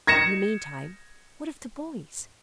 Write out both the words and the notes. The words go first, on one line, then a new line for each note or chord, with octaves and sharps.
In the meantime, what of the boys?
G#6 A#6 C#7 E7